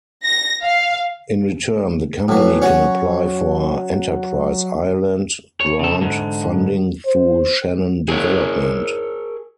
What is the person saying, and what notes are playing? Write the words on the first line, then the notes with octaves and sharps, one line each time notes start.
In return the company can apply for Enterprise Ireland grant funding through Shannon Development.
A#6
F5
A2 E3 F#3
C#4 F#4
C#5
C#3 A4
G#2 D3
C5
G#4 A#4 C#5